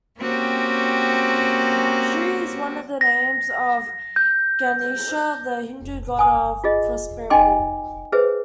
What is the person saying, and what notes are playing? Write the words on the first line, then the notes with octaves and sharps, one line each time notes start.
"Shri" is one of the names of Ganesha, the Hindu god of prosperity.
A#3 C4 C#4 F#4 G4
A#6
G6
G#5 D#6
F4 G#4 D#5
D#4 D#5 G5 G#5 C6 D6
G#4 B4 C5 E5